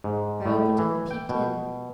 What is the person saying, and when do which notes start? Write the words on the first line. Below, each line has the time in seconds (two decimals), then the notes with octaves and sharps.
I opened it and peeped in.
0.04 G#2
0.46 A2
0.79 E3
1.11 G5
1.29 B2